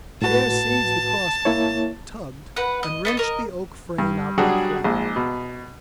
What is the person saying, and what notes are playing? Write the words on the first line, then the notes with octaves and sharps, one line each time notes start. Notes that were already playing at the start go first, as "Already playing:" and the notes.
Pierre seized the crossbeam, tugged, and wrenched the oak frame out with a crash.
A2 F#4 B4 A5
A#3 E4 C#5
B4 F#5
D#5
B3 A4 D#5
A#4 D#5
G2
F#3 G3 D4 F#4 G#4 F#5
A#1 G#2
B2